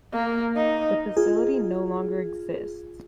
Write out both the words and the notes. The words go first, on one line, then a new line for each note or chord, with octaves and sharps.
The facility no longer exists.
A#3
D#4
F4 G#4